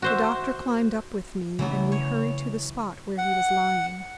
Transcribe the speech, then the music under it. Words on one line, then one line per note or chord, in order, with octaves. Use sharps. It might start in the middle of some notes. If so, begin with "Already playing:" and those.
The doctor climbed up with me, and we hurried to the spot where he was lying.
F#4 C5 E5
C#3 E3 F#3 A3 B3
C#5
F#5